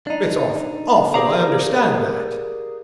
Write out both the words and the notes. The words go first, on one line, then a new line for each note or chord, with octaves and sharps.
It's awful, awful, I understand that!
D4 D#4
G4 G#4 A#4 D5 F5 A#5